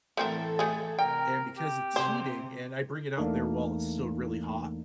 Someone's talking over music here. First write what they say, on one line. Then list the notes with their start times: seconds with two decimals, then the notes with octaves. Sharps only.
And because it's heating, and I bring it out there while it's still really hot,
0.17 A2 E3 A3 C4 A4 A#4
0.59 A3 G#4
0.99 C3 A#4 G5
1.57 G4
1.96 C3 C5
3.17 E2 E3 A3 A#3 D4 D#4